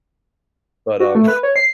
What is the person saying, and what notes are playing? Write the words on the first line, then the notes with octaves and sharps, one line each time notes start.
but, um,
F#4
A3
B4
C#5
C7